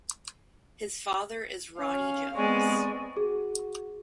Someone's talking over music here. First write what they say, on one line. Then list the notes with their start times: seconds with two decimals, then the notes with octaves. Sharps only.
His father is Ronnie Jones.
1.80 C#4 F5
2.36 G#3 B3 C4 G#4 D5 G#5 C#6
3.17 F#4 G#4